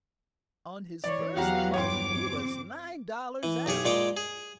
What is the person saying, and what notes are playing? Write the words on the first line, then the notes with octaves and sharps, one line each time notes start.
On his first month he was nine dollars out.
E3 C#5 D5
E2 F#3 B3 F#4 G4 F5 F#5 A#5
G1 C#5 G5 C6 D6
C4
E3
B1 G4 G#4 C#5
A#2 G#3 C#5 G5 D6
G#4